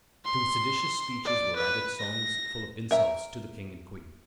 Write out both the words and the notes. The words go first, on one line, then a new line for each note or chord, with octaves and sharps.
To seditious speeches were added songs full of insults to the King and Queen.
C6
D5
B4
A#6
A#4 E5 A#5